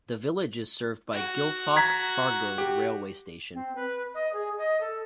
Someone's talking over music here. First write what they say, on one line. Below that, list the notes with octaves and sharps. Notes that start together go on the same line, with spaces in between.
The village is served by Gilfach Fargoed railway station.
F#4
A#5 G#6 B6
G4
C4
B4
D#5
G#4
D#5
A4